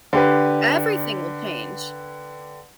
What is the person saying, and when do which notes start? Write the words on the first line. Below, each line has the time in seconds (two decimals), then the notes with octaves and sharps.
Everything would change.
0.13 D3 G4 B4